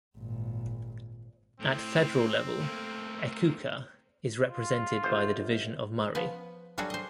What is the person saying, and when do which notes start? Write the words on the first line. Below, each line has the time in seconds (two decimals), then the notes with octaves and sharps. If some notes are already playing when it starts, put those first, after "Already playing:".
At federal level, Echuca is represented by the Division of Murray.
0.17 G#1 A#2
1.60 A2 C4
2.60 A3 A#3
4.48 F4
5.04 G1 C5
6.15 F3 B3 B4
6.78 F#3 G3 D4 F#4 G#4 A4
6.90 C5 D#5